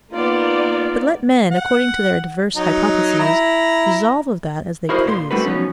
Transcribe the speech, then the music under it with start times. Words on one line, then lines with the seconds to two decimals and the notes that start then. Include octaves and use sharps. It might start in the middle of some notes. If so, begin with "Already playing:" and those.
But let men, according to their diverse hypotheses, resolve of that as they please.
0.12 A#3 B3 D#4 F4 D5
1.51 F#5
2.56 F#3 D#4
3.20 E4 A#5
4.89 E4 F#4 A#4 C5 D#5
5.05 A#2 C5 C6
5.31 G3 A3 D4 F#4 A#4 B4
5.43 B2 F3 F#3 C#4 D#4